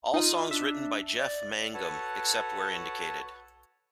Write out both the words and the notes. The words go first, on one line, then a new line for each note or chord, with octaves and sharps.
All songs written by Jeff Mangum, except where indicated.
D#4 F4 D#6
D4 E5
D5
F#4 A4 B4 C#5 F#5 A5